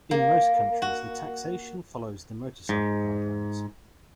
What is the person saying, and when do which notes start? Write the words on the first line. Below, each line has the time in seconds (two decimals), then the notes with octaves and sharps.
In most countries the taxation follows the motorcycle guidelines.
0.11 A#3
0.82 F#4
2.69 G#2